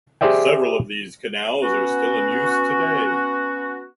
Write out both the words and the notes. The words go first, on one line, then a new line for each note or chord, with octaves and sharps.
Several of these canals are still in use today.
G4 G#4 C5 D5 E5 G5
B3 C#4 F#4